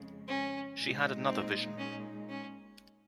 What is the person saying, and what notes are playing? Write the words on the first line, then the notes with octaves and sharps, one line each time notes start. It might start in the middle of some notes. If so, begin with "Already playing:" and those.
She had another vision.
Already playing: F2 C#3 G#3
C#4
A#2 G#3 D#4
C4
C#4
C#4